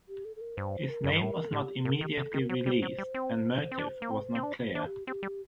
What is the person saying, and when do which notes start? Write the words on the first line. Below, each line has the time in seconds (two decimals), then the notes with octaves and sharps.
His name was not immediately released and motive was not clear.
0.08 G4
0.25 A4
0.36 A4
0.41 A#4
0.57 G2 C5
0.89 A#4
1.04 F#2
1.13 G2
1.21 A2 A#4
1.53 A2 G4
1.85 A#2 A#4
1.94 A4
2.01 D#3 G4
2.13 C3 A4
2.34 D#3
2.38 A#4
2.49 F#3 C5
2.66 G3
2.82 F#3
2.98 G3
3.15 C4
3.72 C4
3.79 D4
4.02 A#3
4.11 C4
4.35 C4
4.43 D4
4.64 C5
4.75 D4
4.86 G4
5.07 C4 G4
5.23 G3